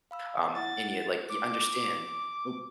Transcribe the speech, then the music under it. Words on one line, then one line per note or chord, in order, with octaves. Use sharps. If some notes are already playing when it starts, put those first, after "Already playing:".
um, and you, like you understand. O
F5 B5 E6
E4 E5 F#5 A6
D6